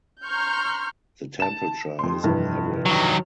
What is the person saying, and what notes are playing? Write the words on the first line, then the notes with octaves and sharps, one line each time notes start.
The temperature is on average.
A#5 C6 C#6 F6 G6
A5 E7
F2 C6
F1 G2 E3
D#3 F#3